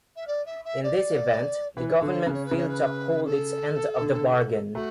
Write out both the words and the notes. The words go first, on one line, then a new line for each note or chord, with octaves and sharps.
In this event, the government failed to uphold its end of the bargain.
E5
D5
E5
E5
D5
E3 B4
C#5
D3 B4
C#5
C#3 B4
C#5
B4
C#3
C#5
B4
A4
D3
A3 F#4